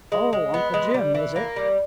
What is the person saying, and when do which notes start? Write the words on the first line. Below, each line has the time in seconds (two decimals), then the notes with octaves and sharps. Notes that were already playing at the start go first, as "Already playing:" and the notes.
"Oh, Uncle Jim, is it?"
0.12 G#3
0.33 G#3
0.54 B3
0.74 G#3
0.94 G3
1.15 E3
1.36 A#3
1.56 G3